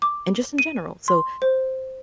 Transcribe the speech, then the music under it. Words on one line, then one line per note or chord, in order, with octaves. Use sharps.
and just in general, so
D6
D#7
C6
C5